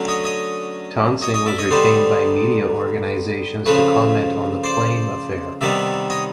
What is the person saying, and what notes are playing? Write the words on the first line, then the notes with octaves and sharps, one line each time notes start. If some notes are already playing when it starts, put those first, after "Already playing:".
Toensing was retained by media organizations to comment on the Plame Affair.
Already playing: D3 F#3 A3 C#4
C#5 D#5
C#5 D#5
C#5 D#5
C#5 D#5
D5 E5
C#5 D#5
D3 G3 B3 D#4 C5 D5
C#3 F3 A3 B4 C#5
C5 D5
C3 D#3 G3 B3 D5 E5
C#5 D#5